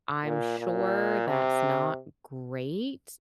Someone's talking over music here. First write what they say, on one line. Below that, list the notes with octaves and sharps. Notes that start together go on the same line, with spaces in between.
I'm sure that's not great,
A#2
A#2
C3